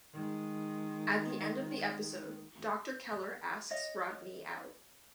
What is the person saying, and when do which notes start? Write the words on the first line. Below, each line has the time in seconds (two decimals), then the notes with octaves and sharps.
At the end of the episode, Doctor Keller asks Rodney out.
0.13 D#3 G#3
3.70 C#5 D#5 F5